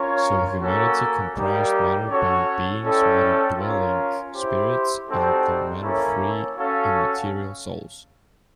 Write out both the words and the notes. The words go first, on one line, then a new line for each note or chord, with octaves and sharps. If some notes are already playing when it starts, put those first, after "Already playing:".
So humanity comprised matter-bound beings, matter-dwelling spirits and the matter-free or immaterial souls.
Already playing: C#4 F4 A#4 C#5
A#3 C#4 F#4 A4 C#5
G3 A#3 D#4 G4
C#4 F#4 A4 C#5
C#4 E4 A4 D5 G5
C#4 F4 A#4 C#5
E4 G4 C5
G3 C4 D#4 F#4 A4
A#3 C#4 E4 A4 C#5
C#4 F#4 A4 C#5 F5